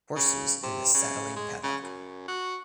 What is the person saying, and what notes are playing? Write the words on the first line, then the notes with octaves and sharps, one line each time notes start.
Horses in the Saddling Paddock.
C#3
C3
C#3
G#3
C#3
F#2
F#4